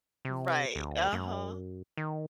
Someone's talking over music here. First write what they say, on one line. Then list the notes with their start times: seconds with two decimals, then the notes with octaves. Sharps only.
Right, uh-huh.
0.25 C3
0.76 D2
1.13 F#2
1.97 D#3